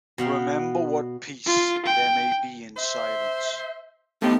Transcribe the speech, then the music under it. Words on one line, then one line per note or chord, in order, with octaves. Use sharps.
Remember what peace there may be in silence.
B2 F#4 F5 G5
F4
G5
C5 E5
D#2 F3 A3 B3 D#4 G4